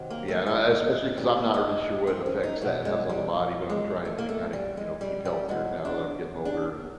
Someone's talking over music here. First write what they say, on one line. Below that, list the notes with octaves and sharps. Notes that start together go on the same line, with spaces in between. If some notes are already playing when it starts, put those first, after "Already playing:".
Yeah, and I, especially 'cause I'm not really sure what effects that has on the body, but I'm trying to kind of, you know, keep healthier now that I'm getting older, and
Already playing: C3 D#3 F#3
A#3
A3
G#3
G3
G#3
C4
C#4
D#4
B2 F#3 A3
G#3
G3
G#3
A3
A#3
A3
G3
G#3
G3
G3
B2 F#3 G#3
D4
D4